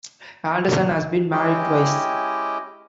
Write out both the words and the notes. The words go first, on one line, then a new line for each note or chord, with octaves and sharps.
Anderson has been married twice.
G#3 C#4 E4 G4 D#5 G5